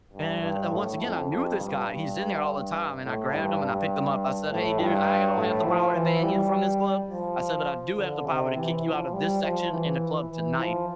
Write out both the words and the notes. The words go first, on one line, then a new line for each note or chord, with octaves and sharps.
And, uh, once again, I knew this guy. He's in there all the time, and I grabbed him, and I picked him up. I said, "Hey, dude, I don't have the power to ban you from this club." I said, "But I do have the power to kick you out of this section in the club tonight."
G2
G2
A2
F2
F2
G2
G2
A2
G2
G2
A2
G2
A2
F3
E3
G3
F3
D3
C3
E3
F3
G3
F3
E3
E3
F3